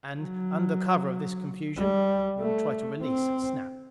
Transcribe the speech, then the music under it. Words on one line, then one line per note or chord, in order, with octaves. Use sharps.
And, under cover of this confusion, we would try to release Snap.
F#3
G3
A3
C4